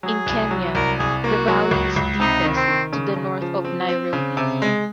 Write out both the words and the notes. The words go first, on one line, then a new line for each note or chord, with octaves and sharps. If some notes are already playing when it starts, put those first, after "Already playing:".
In Kenya, the valley is deepest to the north of Nairobi.
F#3 G#4
C2
F#3
C2 A#4
C2 G#4
A#3 F#4
F#3
C#2
C#2
C3 D#4
D#3
C4
D#3
C#3
C#3
F3
C4
C4
C#3
C3
G#3